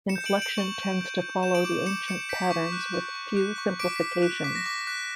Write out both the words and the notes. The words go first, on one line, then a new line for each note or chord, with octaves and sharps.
Inflection tends to follow the ancient patterns with few simplifications.
C#7 E7
G6
D7 F#7
G6
D7 F#7
C#6
G6
G6
G6
G6 E7
D7 F#7
D6
D6 C#7 E7
G6 C#7 E7
G6 B6 D7
C#6
F#6
C#6
C#6
F#6
C#6
D6 B6 D7
B6
D6
B6
F#6
D6 B6
A#6
D6 B6
F#6 B6